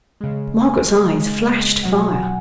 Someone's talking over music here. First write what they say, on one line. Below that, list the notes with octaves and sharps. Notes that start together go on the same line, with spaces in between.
Margaret's eyes flashed fire.
C#3 G#3
G#5
C#3 G#3
B2 F#3 F#5
G#5
F#5
F#5